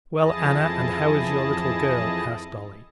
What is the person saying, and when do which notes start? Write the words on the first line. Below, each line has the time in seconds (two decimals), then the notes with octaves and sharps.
"Well, Anna, and how is your little girl?" asked Dolly.
0.19 F2 E3 E4 G#4 D#5 A5